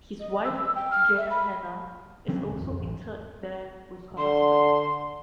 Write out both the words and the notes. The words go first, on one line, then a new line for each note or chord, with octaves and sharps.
His wife, Janet Hannah, is also interred there with her husband.
D#5
E6
G5
F6
E5
B5
D3 F#3 C4 C#4
A1 D2
A1 F2
A1
D3 C6